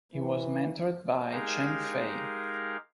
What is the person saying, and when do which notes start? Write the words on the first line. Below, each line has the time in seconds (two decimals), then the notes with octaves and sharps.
He was mentored by Chang Fei.
0.14 E3
1.32 G#3 D#4 G4 G#4 A#4 F5